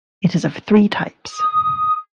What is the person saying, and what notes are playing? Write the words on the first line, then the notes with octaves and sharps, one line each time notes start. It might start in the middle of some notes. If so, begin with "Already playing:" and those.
It is of three types.
D#6